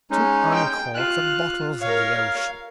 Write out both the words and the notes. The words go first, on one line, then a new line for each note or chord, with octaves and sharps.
"To uncork the bottles of the ocean."
G#3 C#4 D#4
G5
F4 F#6
A#4 C#5 F5